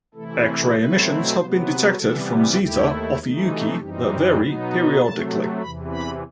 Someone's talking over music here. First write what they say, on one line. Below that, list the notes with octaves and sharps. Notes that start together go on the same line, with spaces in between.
X-ray emissions have been detected from Zeta Ophiuchi that vary periodically.
C3 E3 A3 E4 A4
A4
B2 F#3 A3 C4 E4 B4
C3 F#3 B3 C5
B4
C3 E3 G3 B3 A4
D#2 D#3 A3 E4 G4
C3 E3 A3 D#4
F#4
F#2 E3 G3 C4 D#4 G4
G4
B2 F#3 B3 D#4 B4
B4
C3 F#3 A3 A5
E2 C3 E3 B5
B5